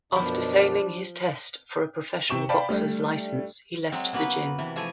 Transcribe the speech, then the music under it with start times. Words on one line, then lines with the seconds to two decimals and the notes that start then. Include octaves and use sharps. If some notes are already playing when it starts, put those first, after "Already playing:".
After failing his test for a professional boxers' license, he left the gym.
0.12 F#2 B2 F3 D4 F4 B5
2.30 C3 G5 C#6 E7
2.49 D5 F5 G5 A5 B5
2.69 G3 A3 D4
3.92 F#3 G#3 C4
4.13 C#3 A#3 B3 F#4 B4
4.58 C3 E3
4.76 E3 F3 A3 G#5